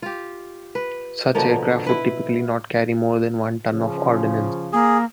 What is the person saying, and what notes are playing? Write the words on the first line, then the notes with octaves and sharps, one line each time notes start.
Such aircraft would typically not carry more than one ton of ordnance.
F4 G4
B4
B2 D3 F3 A#3
E4 B4
C#3 F3
A#3 G#4